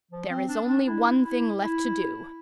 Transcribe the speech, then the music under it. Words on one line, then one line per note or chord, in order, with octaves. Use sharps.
"There is only one thing left to do."
F3
C4
D4
D4
E4
E4
E4